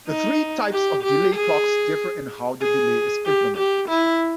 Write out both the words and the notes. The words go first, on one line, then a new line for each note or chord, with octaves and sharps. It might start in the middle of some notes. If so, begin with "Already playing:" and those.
The three types of delay clocks differ in how the delay is implemented.
D#4
G4
G4
G#4
G#4
G4
G4
E4